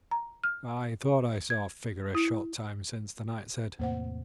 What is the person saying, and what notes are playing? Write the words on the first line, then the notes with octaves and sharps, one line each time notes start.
"I thought I saw a figure a short time since," the knight said.
A#5
F6
G#6
E4
E2 A2 C3 A#3 C5 F#5